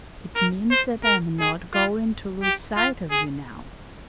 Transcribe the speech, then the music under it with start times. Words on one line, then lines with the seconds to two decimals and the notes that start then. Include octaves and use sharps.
"It means that I am not going to lose sight of you now."
0.36 A#4
0.71 C5
1.05 A#4
1.40 G#4
1.74 F4
2.43 G4
2.77 F4
3.11 G#4